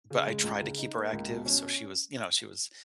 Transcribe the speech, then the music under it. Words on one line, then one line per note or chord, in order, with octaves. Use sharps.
but I tried to keep her active, so she was you know, she was,
C#3
G#3
C#2
C#3
D#4
A#3
C#2
B2
C#4